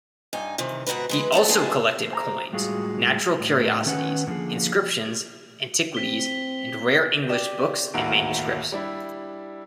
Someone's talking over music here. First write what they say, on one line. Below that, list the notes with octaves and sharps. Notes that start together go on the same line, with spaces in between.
He also collected coins, 'natural curiosities,' inscriptions, antiquities and rare English books and manuscripts.
G2 D#4 G#5
C3 D#3 E3
G#2 B2 F#4 A#4 B4
E3 G#3 B4
B3 C4 E4 A4
G3 G#3 B3 D4 G#4 A4
C5 G#5 A#5
A2 G3 G#3 F4 F#4 G#4
A2
D#3 C#4 B4 E5 F#5
A2 D3 F3 A#3 G#4
C4 B6 G7
G4 D5 E7
G1 D#2 A2 F#4 A#4 D7
G3 D4 E4